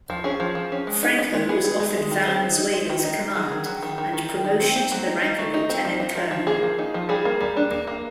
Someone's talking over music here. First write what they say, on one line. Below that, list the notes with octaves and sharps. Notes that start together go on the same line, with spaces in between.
Franco was offered Valenzuela's command, and promotion to the rank of lieutenant colonel.
F3
C#4 G#4
F3
F3
C#4
G#3
D#4
D#4
G#3
B3 G#4
D#4
G#3
G#3
D#3
C4
D#4
D#4
G#3
D#3
D#4
G#3
F#3 G#4
D#3
F#3
D#3
D#3
D#3
D#3
D#3
C4
C4
F#3
D#4
D#4
A3
D#4
C4
F3
D#4
F3
F3
A#3 G#4
F3
D#4
F3
G3 G#4
A#3
G3
D4
A#3
A#3